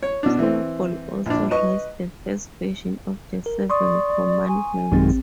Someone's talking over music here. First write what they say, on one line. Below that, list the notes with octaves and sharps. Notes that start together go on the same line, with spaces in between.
Snowball also writes the first version of the Seven Commandments.
C#5
B2 D4
E3 C4
A#1 D4
B4 D#5 C#6
A#4
D5 C6 C#6 D#6
G#5
A1 F#2 D#3 G#3 C4